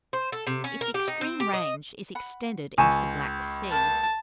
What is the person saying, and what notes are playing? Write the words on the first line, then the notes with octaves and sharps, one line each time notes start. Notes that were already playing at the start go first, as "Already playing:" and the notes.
Its extreme range is extended into the Black Sea.
C5
A4
C3
C#4
A#4
G4
D#4
C4
G4
D#5
F#5 B5
C#2 G#5 A5 C#6
A#4 A5